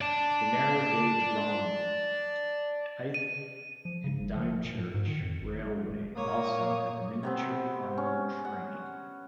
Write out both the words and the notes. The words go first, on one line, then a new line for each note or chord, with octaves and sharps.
The narrow gauge Romney, Hythe and Dymchurch Railway also had a miniature armoured train.
D5 A5
D#7
F3
C#3
F#1
F3
A#2
A2
G#2
D#3
F2
G#1
G#3
D#1
A#2 A#3 C#5 D#6
C3 B3 C4
C#4
F#5